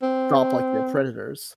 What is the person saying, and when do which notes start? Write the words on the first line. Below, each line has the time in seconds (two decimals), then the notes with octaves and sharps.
drop, like, their predators.
0.03 C4